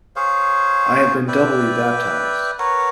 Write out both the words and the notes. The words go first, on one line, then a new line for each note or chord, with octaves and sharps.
I have been doubly baptized.
G#4 C5 C#5 F5
B4 D5 E5 G5
A#4 B4 C#5 F#5